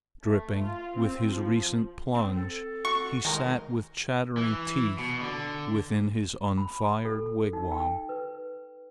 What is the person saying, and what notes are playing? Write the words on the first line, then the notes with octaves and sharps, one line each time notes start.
Dripping with his recent plunge he sat with chattering teeth within his unfired wigwam.
A3
F4
C4
F3
C4
A4
F#4 C#6
D#3 G#3 D#4 A#4
E3
B2
D3
B5
A4
D#4
G5
B4